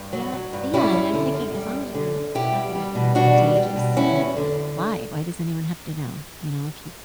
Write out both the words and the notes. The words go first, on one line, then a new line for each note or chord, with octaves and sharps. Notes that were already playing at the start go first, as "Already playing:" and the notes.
Yep. Uh, yeah, and I'm thinking, as long as you're not gonna you're not contagious, and Why? Why does anyone have to know? You know, if you
Already playing: G2
F#3
F#3
G2
G3 C#4 E4
F#2
D3
F#2
G3
F#2
D3
F#2
B2 E4 G4
G3
G3
B2
B2 D4 F#4
G3
G3
B2
F#3 C#4 E4
E2
D3